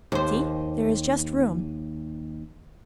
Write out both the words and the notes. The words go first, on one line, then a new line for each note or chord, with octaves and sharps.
"See! there is just room."
D#2 C5